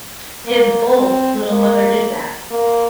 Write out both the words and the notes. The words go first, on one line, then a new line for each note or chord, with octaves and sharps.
His bold little mother did that.
A#3
C4
A#3
A#3